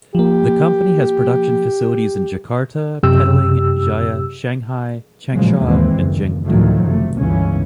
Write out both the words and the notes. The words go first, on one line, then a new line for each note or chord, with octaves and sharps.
The company has production facilities in Jakarta, Petaling Jaya, Shanghai, Changsha and Chengdu.
F3 A#3 G4
F#2 C3 G4 E6
A1 A#2 C#3 F3 F#3 G#3
D#2 G#2 E3 G#3 C4
F#1 D#2
D2 A2 D#3 F3 F#3 A3
F#1 C3 A3
G1 C#2 C#3 E3 C#4